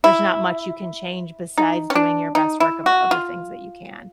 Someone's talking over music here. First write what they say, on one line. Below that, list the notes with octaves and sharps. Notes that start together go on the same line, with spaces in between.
there's not much you can change besides doing your best work of of the things that you can,
E4
D#4
C#4
D4
D#4
E4
F#4
F4